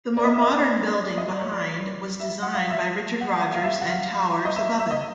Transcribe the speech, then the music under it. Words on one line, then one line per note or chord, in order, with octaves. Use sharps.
The more modern building behind was designed by Richard Rogers and towers above it.
D5
D#5
E5
D#5
D5
C#5
D5
D5
D#5
D5
C#5
D5
E5
F#5
F5
E5
F#5
F#5
F5
E5
F#5
F5
D#5
E5
E5
D#5